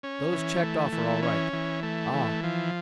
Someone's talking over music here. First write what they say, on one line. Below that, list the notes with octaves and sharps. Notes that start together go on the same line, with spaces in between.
"Those checked off are all right."
C#4
E3
A3
E3
C#4
E3
A3
E3
F3